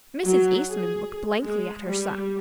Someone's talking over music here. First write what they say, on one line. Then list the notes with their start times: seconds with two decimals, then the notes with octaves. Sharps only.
Mrs. Eastman looked blankly at her son.
0.25 F#3
0.70 G#4
1.42 G#3
1.85 G3